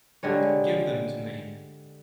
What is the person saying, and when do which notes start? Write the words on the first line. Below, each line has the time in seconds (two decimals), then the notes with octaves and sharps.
Give them to me.
0.23 D3 G3 G#3 C#5